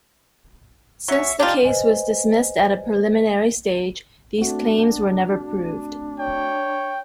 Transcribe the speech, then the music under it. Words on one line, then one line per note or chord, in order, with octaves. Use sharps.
Since the case was dismissed at a preliminary stage, these claims were never proved.
F#3 C#4 E5 C#6
D4 D#4 F4 G4 D5
B4 C5 D#5 G#5
A3 C4 D4 F#4
C#5 G5